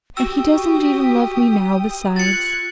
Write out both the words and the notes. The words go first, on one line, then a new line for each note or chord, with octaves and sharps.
"And he doesn't even love me now, besides."
F#4 G4 G5 D#6 E6
F4 F#6 G#6 A6 C#7